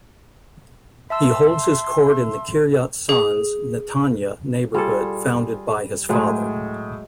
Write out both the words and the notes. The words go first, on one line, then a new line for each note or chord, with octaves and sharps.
He holds his court in the Kiryat Sanz, Netanya neighborhood founded by his father.
E5 A5 C6 E6
G#4
G3 F4 G#4 A4
A2 F#3 G#3 D#6